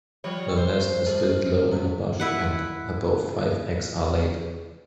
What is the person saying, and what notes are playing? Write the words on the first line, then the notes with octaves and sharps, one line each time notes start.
The nest is built low in a bush and about five eggs are laid.
F3 G3 C#5
C5
G3
C#3
E4 B4 F#5